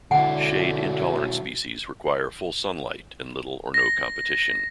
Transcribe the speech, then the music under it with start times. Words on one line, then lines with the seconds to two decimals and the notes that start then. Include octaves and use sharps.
Shade-intolerant species require full sunlight and little or no competition.
0.11 B1 D3 F#3 E4 F#5 G#5
3.74 A#6